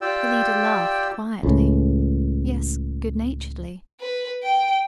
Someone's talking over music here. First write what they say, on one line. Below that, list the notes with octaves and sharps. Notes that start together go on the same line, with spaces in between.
The leader laughed quietly--yes, good-naturedly.
F4 G4 D5 G5 E6
C#2 A2
B4
G5